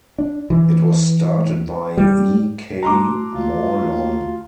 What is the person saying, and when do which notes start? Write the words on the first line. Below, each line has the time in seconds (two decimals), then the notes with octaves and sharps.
It was started by E. K. Mawlong.
0.18 D4
0.50 E3
1.98 G3
2.83 A3 E4 F#4 A#5 C6 D6
3.35 F4